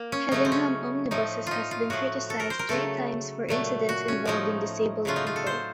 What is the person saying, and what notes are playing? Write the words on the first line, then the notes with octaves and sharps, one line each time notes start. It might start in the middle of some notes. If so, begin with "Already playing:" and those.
Hedingham Omnibuses has been criticised three times for incidents involving disabled people.
Already playing: A#3
C#4
C#3 F#3 A3 D#4
C4
C#4
A2 F3 A3 D#4
D#4 F4
F4
A2 F3 A3 F#4
A4
A#4
C5
A#4
C#3 F#3 A3 A4
A#2 F#3 A3
F#4
C#4
A2 F3 A3 D#4
C#3 F#3 A3 F4
D#4
F4
A4
C5